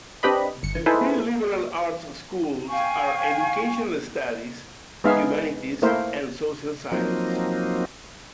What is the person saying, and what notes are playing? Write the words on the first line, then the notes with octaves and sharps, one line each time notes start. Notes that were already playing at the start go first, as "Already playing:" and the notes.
The three liberal arts schools are Educational Studies, Humanities, and Social Sciences.
C4 D4 G4 B4 D#5 B5
G1 C#7
D#4 E4 G#4 A4 B4 C5
F5 G5 G#5 C#6
G#3 B3 D#4 G#4 E5 F5
A3 A#3 E4 A#4 C5 E5
F3 F#3 A#3 C4 D#4